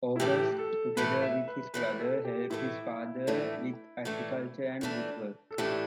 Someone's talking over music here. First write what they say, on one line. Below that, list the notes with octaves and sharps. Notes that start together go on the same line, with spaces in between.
August, together with his brother, helped his father with agriculture and woodwork.
E4
A2 E3 A3 G4
A4
A2 E3 A3 B4
E5
B4
A2 E3 A3 B4
A4
G4
A2 E3 A3 E4
A2 E3 A3 D4
A2 E3 A3 D4
A2 E3 A3 D4
A4
A2 E3 A3 D4 G4